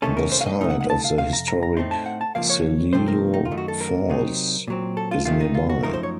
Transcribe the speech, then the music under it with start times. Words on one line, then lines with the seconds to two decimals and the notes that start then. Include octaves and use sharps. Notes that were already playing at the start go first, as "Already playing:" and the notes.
The site of the historic Celilo Falls is nearby.
0.02 C2 C3 D#3 A3 C#4 A4
0.17 A#4
0.32 C5
0.41 F5
0.46 D#5
0.61 C2 A#2 A3 D#4
0.70 F#5
0.81 F#5
0.90 A5
1.04 F5
1.18 F2 C3 F5
1.33 A#5
1.48 A#5
1.63 A#5
1.77 A2 A3 C4 D#4 C6
1.91 A5
2.06 F#5
2.21 A5
2.35 C#2 C#3 F3 A#3 F5
2.50 C#5
2.93 C3 F3 A3 C4 C5
3.08 A#4
3.34 D#4
3.45 F4
3.51 F#2 D#3 A3
3.57 F#4
3.68 A4
3.81 A#4
4.09 C3 F#3 C4 D#4
4.68 A#2 F#3 C4
4.97 A4
5.11 F4
5.25 C#2 C3 D#3 A3 F4
5.40 D#4
5.55 F4
5.70 F#4
5.83 F#2 F3 A3 D#4 A#4
5.94 C5
6.03 C#5